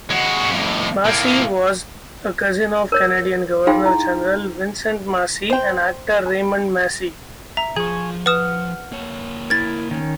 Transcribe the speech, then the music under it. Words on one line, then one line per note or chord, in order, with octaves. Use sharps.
Massey was a cousin of Canadian Governor General Vincent Massey and actor Raymond Massey.
G#3 F#4
F2 A2
A2 A#3
A#4 C#5
D#4 F4 G#4 F5 G5 C6
E4
C5 G5
E5 A#5
F3 G#4 G#5 C#6
B4 F#5 D#6 F6 E7
A#3 C#5
E4 A#4 G#6 A6
D#3 C#4